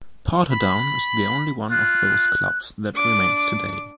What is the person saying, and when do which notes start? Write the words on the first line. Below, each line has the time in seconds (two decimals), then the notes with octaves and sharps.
Portadown is the only one of those clubs that remains today.
0.52 B5
1.70 F4 F#6
2.96 D4 D6